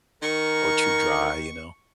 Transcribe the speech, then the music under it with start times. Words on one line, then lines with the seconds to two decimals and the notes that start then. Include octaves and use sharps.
or too dry, you know?
0.22 D#3 A#4 C#6